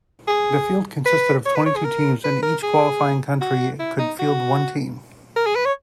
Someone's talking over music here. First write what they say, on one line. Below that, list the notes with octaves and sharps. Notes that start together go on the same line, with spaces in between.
The field consisted of twenty-two teams and each qualifying country could field one team.
G#4
B4
C#5
B4
C#5
G#4
A#4
B4
A#4
G#4
F#4
E4
D#4
F#4
A#4
G#4
B4
C#5